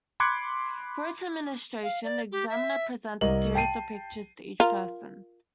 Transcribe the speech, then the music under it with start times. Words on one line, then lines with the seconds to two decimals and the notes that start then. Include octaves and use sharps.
For its administration, the examiner presents a series of pictures to each person.
0.20 B5 C6 D6 F#6 G#6 C#7
1.83 F5
2.04 D5
2.32 G4
2.49 E5
3.21 C2 A#4 D#5 F#7
3.55 G5 A5 C7 D#7
4.60 F4 A#4